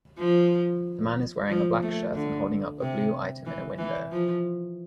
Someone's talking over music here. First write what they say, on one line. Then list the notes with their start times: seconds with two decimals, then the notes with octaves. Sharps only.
The man is wearing a black shirt and holding up a blue item in a window.
0.19 F3
1.50 F3
1.83 A3
2.15 D3
2.81 C3
3.46 E3
3.78 E3
4.12 F3